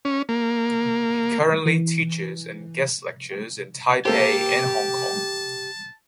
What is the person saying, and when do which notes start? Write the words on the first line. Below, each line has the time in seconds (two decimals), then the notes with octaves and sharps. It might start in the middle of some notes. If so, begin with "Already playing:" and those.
He currently teaches and guest lectures in Taipei and Hong Kong.
0.05 C#4
0.29 A#3
1.66 E3
4.05 A#3 G4 A4 C5 A5